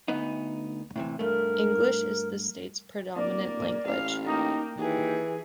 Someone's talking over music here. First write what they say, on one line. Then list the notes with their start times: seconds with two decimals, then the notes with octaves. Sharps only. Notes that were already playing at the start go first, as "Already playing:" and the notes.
English is the state's predominant language.
0.08 D2 B3 D#4
0.96 A2 C3 E3
1.19 G2 A3 A#4
3.16 D1 A#3 D5
3.88 A1 F5
4.26 A#3 D#4 G5
4.78 D#2 E3 G#4